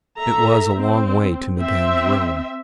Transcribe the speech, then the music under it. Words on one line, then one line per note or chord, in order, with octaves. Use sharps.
It was a long way to Madame's room.
A4 E5 A#5
C4
C4 E5